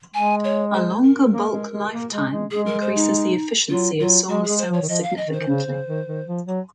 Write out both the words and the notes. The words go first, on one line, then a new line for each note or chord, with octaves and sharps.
A longer bulk lifetime increases the efficiency of solar cells significantly.
G#3 G#5
C#5
C5
A#4
A#3
G#3
G#3
A#3
G#3
G#3
G#3 G#4
A#4
C5
D#4
F#3 F4
F#3 F4
G#3 F#4
G#3 G#4
C5
F3 C#5
D#3
F3 D#5
F5
D#5
D#3
C5
D#3
C#3
C#3
D#3
D#3
F3
F#3